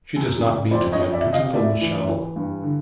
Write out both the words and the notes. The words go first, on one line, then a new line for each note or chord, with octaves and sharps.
'She does not mean to be undutiful, Michel.'
F#2
C#3
F2 C5 D5
C#5 D#5
F2
D5 E5
C3
D#5 F5
A2 D5 E5
E3
E3
G2
D3